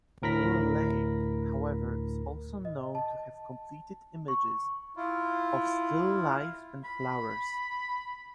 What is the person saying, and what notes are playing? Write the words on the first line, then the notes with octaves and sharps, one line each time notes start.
Burleigh however is also known to have completed images of still life and flowers.
D2 A2 A#4 B5 A#6 B6
D#5
A5
C#6
E4 F4
B5